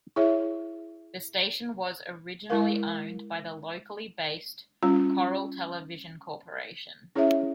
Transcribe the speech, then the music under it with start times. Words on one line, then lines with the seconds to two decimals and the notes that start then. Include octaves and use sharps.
The station was originally owned by the locally-based Coral Television Corporation.
0.16 E4 G#4 C#5 E5
2.50 G#3 E4 A#4 F5
4.83 G3 C#4 F4
7.15 C#4 E4 G#4 C#5 E5